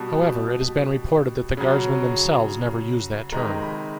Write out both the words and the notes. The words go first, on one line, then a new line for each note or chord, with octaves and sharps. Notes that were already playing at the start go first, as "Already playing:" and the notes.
However, it has been reported that the guardsmen themselves never use that term.
Already playing: B2 G3 A5
C#3 F#3
C3 D#3 G#3 A#5
B5